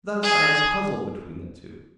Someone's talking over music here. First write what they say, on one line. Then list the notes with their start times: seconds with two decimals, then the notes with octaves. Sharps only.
Thus I am puzzled between the two.
0.23 G#4